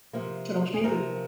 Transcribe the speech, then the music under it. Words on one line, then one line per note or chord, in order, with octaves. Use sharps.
Do you wanna watch a movie with me?
C3 F3 A#3
G#4
C3 F3 A#3 A#4